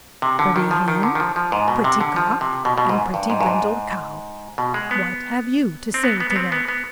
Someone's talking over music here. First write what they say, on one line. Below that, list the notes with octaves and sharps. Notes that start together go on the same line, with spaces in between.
"Pretty Hen, pretty Cock, And pretty brindled Cow, What have you to say to that?"
C3
D3
D#3
F3
D#3
D3
D#3
F3
F3
G#2
B2
C3
D3
F3
C3
B2
B2
G#2
G2
G#2
G2
G#2
B2
G#3
B3
C4
B3
B3
B3
C4
B3
B3